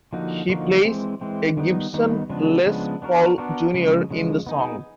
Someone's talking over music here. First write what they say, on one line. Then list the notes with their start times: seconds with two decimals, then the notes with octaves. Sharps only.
He plays a Gibson Les Paul Junior in the song.
0.13 D3 F3 A#3 D#4 F#4
0.49 D3 F3 A#3 D#4 F#4
0.85 E3 G#3 C4
1.21 E3 G#3 C4
1.57 D#3 G3 B3 D#4
1.94 D#3 G3 B3 D#4
2.30 C#3 F3 G#3 B3 D4
2.66 C#3 F3 G#3 B3 D4
3.02 B3 D4 F#4 A#4
3.38 B3 D4 F#4 A#4
3.74 C#3 F3 G#3
4.11 C#3 F3 G#3
4.47 B3 D#4 G#4